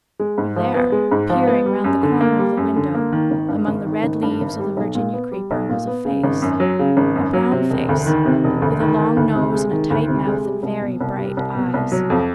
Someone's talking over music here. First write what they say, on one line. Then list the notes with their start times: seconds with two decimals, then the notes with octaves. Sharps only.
For there, peering round the corner of the window, among the red leaves of the Virginia creeper, was a face - a brown face, with a long nose and a tight mouth and very bright eyes.
0.19 G#3
0.38 G#2
0.56 F3
0.74 B3
0.92 G#3
1.11 G#2
1.30 F3
1.48 B3
1.66 G3
1.84 F#2
2.03 D3
2.21 A#3
2.39 G3
2.57 F#2
2.76 D3
2.95 A#3
3.12 D#3
3.31 G#1
3.48 G2
3.67 G#1
3.85 D#3
4.03 G#1
4.22 G2
4.41 G#1
4.59 G3
4.77 B1
4.95 A#2
5.13 B3
5.32 G3
5.51 B1
5.69 A#2
5.87 B3
6.05 C#3
6.24 G#1
6.42 F#2
6.60 F#3
6.79 C#3
6.97 G#1
7.15 F#2
7.33 F#3
7.52 C3
7.70 E1
7.89 D2
8.06 D#3
8.25 C3
8.44 E1
8.62 D2
8.80 D#3
8.98 D#3
9.17 D2
9.35 C3
9.54 G#3
9.71 D#3
9.90 D2
10.08 C3
10.27 G#3
10.45 G3
10.63 C2
10.81 B2
11.00 C2
11.18 G3
11.37 C2
11.55 B2
11.74 C2
11.92 F#3
12.10 F2